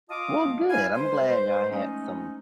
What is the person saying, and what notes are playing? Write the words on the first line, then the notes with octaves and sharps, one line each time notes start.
Well, good, I'm glad I had some,
F4 D#5 F5 A5 D6 D#6
E4 F5 G#5
G3 G#3 B4 C5
F3 G#3 A3 C#4 D#4